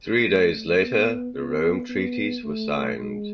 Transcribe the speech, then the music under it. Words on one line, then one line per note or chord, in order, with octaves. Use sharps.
Three days later the Rome treaties were signed.
A3
B3
B3
B3
A3
G#3